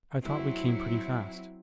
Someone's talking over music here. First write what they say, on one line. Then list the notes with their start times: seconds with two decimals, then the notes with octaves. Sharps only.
"I thought we came pretty fast."
0.22 F#3 C4 E4